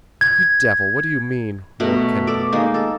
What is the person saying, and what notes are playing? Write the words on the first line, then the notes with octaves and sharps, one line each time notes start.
"You devil, what do you mean?" roared Kennedy.
G#6
B2 A3 A#4
A4 D5
G#3 A#3 D#4
A4